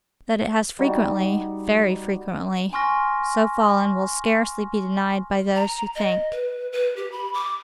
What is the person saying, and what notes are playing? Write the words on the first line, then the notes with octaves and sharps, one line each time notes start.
That it has frequently, very frequently, so fallen will scarcely be denied by those who think.
G3 D#4 F#4
G#5 C6 C#6 F6 A#6
A#5
D#5
B4
B4
G4
B5
D6